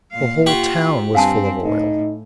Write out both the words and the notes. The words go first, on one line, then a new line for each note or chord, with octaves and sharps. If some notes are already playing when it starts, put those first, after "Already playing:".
The whole town was full of oil.
A#2 F5
F4 G4 F#5 C#6
G2 C4 F5 G#5 A5
A2 D#4